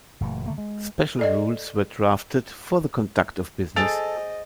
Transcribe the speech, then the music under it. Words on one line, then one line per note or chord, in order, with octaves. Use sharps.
Special rules were drafted for the conduct of business.
F#1 A#2 E3 A3
D3 A3 A#3
G#3
A4 D5 D#5
G#4 A4 C5 D#5 A5 A6 D7 F7